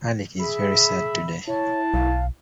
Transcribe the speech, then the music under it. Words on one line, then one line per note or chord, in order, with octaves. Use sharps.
Hardik is very sad today.
G#4 E5 B5
E4 C#5 A5
B1 F5